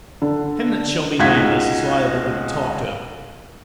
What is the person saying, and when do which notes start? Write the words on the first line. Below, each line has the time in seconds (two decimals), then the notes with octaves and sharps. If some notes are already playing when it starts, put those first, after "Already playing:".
Him that shall be nameless is liable to be talked over.
0.22 D3
1.19 C#2 G#3 D#4 F#4 G#6 B6